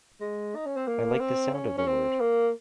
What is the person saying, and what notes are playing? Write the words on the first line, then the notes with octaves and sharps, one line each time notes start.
I like the sound of the word.
G#3
D#4
C#4
C4
A#3
C4
C#4
C#4
C4
A#3